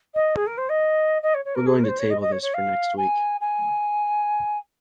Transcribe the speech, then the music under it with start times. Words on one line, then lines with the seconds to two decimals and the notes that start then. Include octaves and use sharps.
We're going to table this for next week.
0.14 D#5
0.36 G#4
0.47 A#4
0.57 C5
0.69 D#5
1.23 D#5
1.34 C#5
1.45 C#5
1.55 A#4
1.66 G#4
1.78 A#4
1.84 C#5
1.88 C5
1.99 C#5
2.10 D#5
2.21 D#5
2.32 C#5
2.42 C#5
2.54 F5
2.97 G#5
3.41 G#5